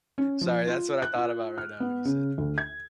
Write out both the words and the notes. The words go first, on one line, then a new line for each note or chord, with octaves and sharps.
Sorry, that's what I thought about right now when you said
C#4
F3
F4
F#6
F4
F6
B3
C#3
D2
G#6